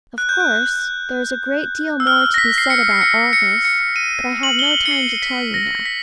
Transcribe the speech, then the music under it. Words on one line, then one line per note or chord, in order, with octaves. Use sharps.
Of course, there is a great deal more to be said about all this: but I have no time to tell you now.
F#6
G6
F#6
E6
F6
A#6
B6
C7
C#7
C7
C#7
C#7
C#7
D#7
F#7
G7
F#7
C#7
C7
B6
A#6
B6